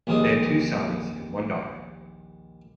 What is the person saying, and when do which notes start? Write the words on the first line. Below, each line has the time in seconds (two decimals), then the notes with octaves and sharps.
They had two sons, and one daughter.
0.07 A#1 D#2 G3 C4 G#4 D#5